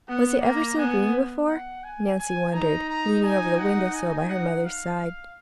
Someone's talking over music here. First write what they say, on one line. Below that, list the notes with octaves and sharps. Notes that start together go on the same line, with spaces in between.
"Was it ever so green before?" Nancy wondered, leaning over the window-sill by her mother's side.
B3 F#5
A#3 A#5
B3 G#5
F#5
G#5
G#5
D#4 A#5
A#5
G#5
F#5
G#5
F#5
F5